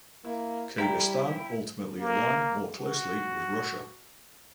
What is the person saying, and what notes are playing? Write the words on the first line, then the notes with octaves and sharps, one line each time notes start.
Kyrgyzstan ultimately aligned more closely with Russia.
A#3 E4
G3 E4 G5 A#5 B6
A#3
F#4